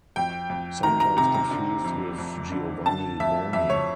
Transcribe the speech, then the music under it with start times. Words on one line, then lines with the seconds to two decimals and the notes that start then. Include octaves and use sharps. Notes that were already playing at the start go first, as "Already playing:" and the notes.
Sometimes confused with Giovanni Boni.
0.16 F2 G5
0.50 F2
0.83 D#3 A#5
1.00 A#5
1.17 C3 A#5
1.34 A#5
1.51 D3
1.84 F2
2.19 F2
2.52 D3
2.86 D3 A5
3.20 F2 E5
3.53 F2 E5
3.70 C#5